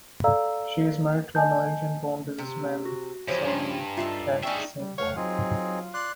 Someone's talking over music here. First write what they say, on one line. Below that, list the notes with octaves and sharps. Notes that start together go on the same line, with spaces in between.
She is married to Malaysian-born businessman Sammy Teck Seng Wong.
A4 D5 F5 A#5 E6
D#5 G#5 A5 G6
C3
F#4
E2 F3 E4 G4 C5 C#5
G2 G#5 A#5 C6
D#4 F4 F#4 A4 E5 C7
D4 D#4 G#4 E5 G5 C#6 F6
G3
A3 C#5 F5 F#5
F#3 C4 D#4 F4 G#4
D5 C6 F#6